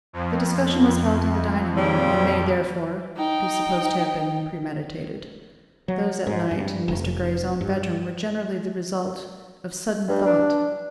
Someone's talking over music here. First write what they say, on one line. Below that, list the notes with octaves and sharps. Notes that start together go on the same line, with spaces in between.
The discussion was held in the dining-room, and may, therefore, be supposed to have been premeditated. Those at night in Mr. Grey's own bedroom were generally the result of sudden thought.
F2
A#2 C#3 G3
D#4 G5
F#3
G#2
G2
F1
G2
G2
D4